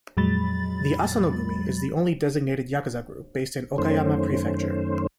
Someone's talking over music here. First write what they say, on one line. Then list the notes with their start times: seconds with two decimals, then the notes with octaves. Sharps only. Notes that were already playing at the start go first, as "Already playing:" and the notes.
The Asano-gumi is the only designated yakuza group based in Okayama Prefecture.
0.17 F2 A#2 F#3 G#3 B5 A6
3.78 F#2 D#3 A3 C#4 C5